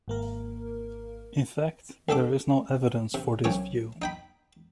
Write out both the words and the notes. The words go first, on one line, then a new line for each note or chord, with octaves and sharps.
In fact, there is no evidence for this view.
G#1 A#3 A#4
D2 D3 D4 A4 D6
C3
B1 F3 C#4 C#5 D6
D#4 G5 B5